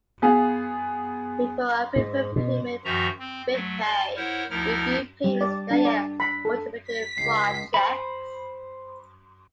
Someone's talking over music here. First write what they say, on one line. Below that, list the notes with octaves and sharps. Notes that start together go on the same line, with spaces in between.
Before approving payment, Bidpay reviewed payments via automated fraud checks.
B3 G#4 F5
G#2
B2
F#2 D#3 F3 F#4 E5 A#5
C4
F#3 A3
D5 A5 C6
E4 A#4 C5 C#5 F#5
D2 F3 D#4 E4 A#4 F6
G3
D5
D4
D5
B5
A4
B6
C#2 C7
C5 B5